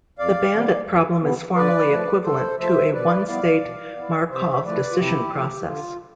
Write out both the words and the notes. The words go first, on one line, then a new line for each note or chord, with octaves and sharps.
The bandit problem is formally equivalent to a one-state Markov decision process.
F2 D5 F5
C3 E3 B3
F2
C3 E3 B3
D3 B4 D5
F3 A3
D3 A4 C5
F3 A3 C5 E5
B2 B4 D5
B3 E4 D5 F5
B2
B3 E4
C3 C5 E5
F3 A3 E4 B4 D5
F4
C3 E4 G4
F3 A3 E4
D3 F4